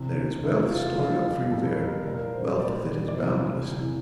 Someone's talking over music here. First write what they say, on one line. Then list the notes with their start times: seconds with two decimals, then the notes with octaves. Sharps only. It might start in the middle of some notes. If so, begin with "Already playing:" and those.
There is wealth stored up for you there--wealth that is boundless!
Already playing: E2 C3 E3
0.43 E2 C3 E3 E4
0.70 F4
0.97 F2 E3 G3 F4
1.51 F2 E3 G3 A4
1.79 A#4
2.05 A#2 G3 A#4
2.19 A#4
2.33 C5
2.47 C5
2.60 A#2 G3 D5
3.08 D5
3.14 E2 C3 E3 C5
3.68 E2 C3 E3